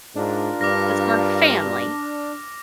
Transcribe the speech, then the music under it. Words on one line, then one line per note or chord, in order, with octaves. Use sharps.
is for family.
G#2 D4 F4 A#4
G2 D6 F6 A#6